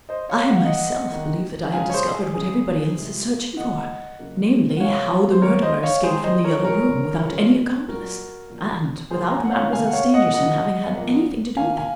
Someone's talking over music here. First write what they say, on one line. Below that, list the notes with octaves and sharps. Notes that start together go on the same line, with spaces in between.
I myself believe that I have discovered what everybody else is searching for, namely, how the murderer escaped from The Yellow Room, without any accomplice, and without Mademoiselle Stangerson having had anything to do with it.
C5 D#5
C#5 F5
D#3 F#3 A#3 F#5
F5
D#5 F#5
D#3 A#3
C#3 G#3 F5 G#5
C#5
G#4 C5
G#4
C#3 G#3 G#4
C3 F3 G#3
C#3 F3 A#3 D#5 F#5
C#3 F#3 A#3
F#5
C3 F#3 A#3 C#5 F5
C5
D#3 A#3 A#4 C#5
C5 D#5
D#5
C#5 F5
D#3 G#3 G#4 C5
C5 D#5
A#4 C#5
A#2 G#3 A#4 C#5
C#3 F3 G#3
A#2 F#3 A#3 F#4 A#4
A#2 F#3 A#3
C3 F#3 A#3 G#4 C5
C6
A#5
G#5
F#5
C#5 F5
C3 D#3 A#3 F5 G#5
F#5
C#5 F5
D#5 F#5
C#3 F3 A#3 D#5 F#5
A#2 F3 A#3
D#3 A#3 F5 G#5
F5 G#5